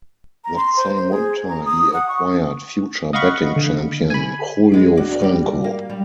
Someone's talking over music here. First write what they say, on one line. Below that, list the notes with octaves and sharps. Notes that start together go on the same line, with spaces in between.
That same winter he acquired future batting champion Julio Franco.
A#5
C6
C5
C5
G#4
A#5
D#6
F#5
C#6
D#5 F5 F#5 B5 C#6
D3
G#5 B5
G#3
D2 F#4 D5
G3 G4
A#3
G3